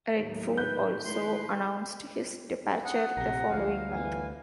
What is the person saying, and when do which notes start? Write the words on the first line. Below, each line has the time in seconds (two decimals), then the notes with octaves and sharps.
Redfoo also announced his departure the following month.
0.19 D#2 A2 F#3 G#3 D#4
0.58 D#3 B4 G6
1.05 A2 D#3 G#3 B4 C6
2.85 F#5 D#6
3.17 A#1 C3 A#5
3.50 D2 F3 F#3 F5
3.89 G1 E3 G#5